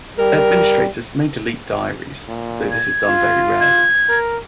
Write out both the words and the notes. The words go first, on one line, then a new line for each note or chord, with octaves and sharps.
Administrators may delete diaries, though this is done very rarely.
G3 A#4
A#2
G#6
F4
G#6
A#4